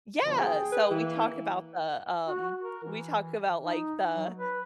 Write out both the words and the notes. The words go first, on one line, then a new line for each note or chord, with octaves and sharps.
Yeah, so we talk about the, um, we talk about like the
B2 D3 F3
G#4 G5
B4
E3 A#3
F#4
A#4
E3
D#4
F#3
B4